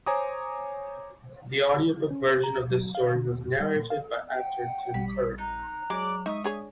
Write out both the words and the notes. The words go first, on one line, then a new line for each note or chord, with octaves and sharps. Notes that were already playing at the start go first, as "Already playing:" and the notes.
The audiobook version of this story was narrated by actor Tim Curry.
C5 C#5 G#5 A#5 D6 D#6
C#4
C5
A#5
D2
F#3
F5
D3
D#2
F#2
G3
A#2
F5
F#5 G5
A#1 G3 B5
D#4 A#5 F#6
F#3 G#3 G#4 C#5 D5 D6
G#3 D#4 E5 C#6 D#6
D4 G#4 C#5